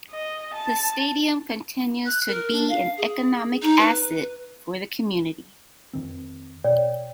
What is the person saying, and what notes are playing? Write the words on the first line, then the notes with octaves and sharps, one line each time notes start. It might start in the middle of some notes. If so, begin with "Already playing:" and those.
The Stadium continues to be an economic asset for the community.
D#5
A5
F#6
A#4
D4
F5
G#4
D#4
B4
F2 D#3 C4
B2 C#5 D5 G5